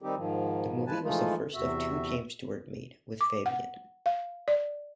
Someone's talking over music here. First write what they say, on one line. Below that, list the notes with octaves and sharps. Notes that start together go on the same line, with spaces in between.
The movie was the first of two James Stewart made with Fabian.
D#3 G3 C4 D#4 G4
G#2 D#3 F3
F3 G#3 B4 G#5 A5
E3 F3 G#3 A3 D#4 F4
E2 C3 F#4 E5
D6
F#5
F5
D5